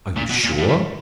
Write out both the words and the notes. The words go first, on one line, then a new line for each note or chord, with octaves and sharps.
"Are you sure?"
A#2
B2
A#2
A2
F#2